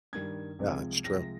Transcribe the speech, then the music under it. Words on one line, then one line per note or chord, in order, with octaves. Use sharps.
Yeah, it's true.
G2 D#3 G3 G#6
C2 C3 F3 G#3
C2 C3 F3 G#3 A#6